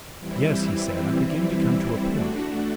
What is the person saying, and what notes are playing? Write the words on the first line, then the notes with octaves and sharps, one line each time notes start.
'Yes,' he said, 'I begin to come to a point.
E3 G3 C4 E4
A3 D4 F#4